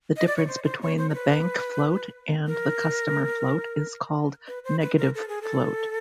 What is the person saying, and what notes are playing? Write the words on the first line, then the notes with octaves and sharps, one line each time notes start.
The difference between the bank float and the customer float is called 'negative float'.
D#5
D5
C#5
C5
C5
C#5
C5
A#4
B4
A#4
B4
C5
B4
A#4
A4
G#4
A4